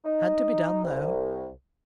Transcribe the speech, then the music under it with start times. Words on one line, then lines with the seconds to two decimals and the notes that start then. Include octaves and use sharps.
Had to be done, though.
0.05 D#4
0.83 C2